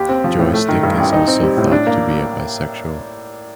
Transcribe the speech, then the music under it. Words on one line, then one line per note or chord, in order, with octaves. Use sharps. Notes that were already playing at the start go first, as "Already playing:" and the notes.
Joystick is also thought to be a bisexual.
Already playing: D#2 G4
C4
F3
A2
A3
D#3
G2
A1
D#4
C4
G3
A2
D4
A#3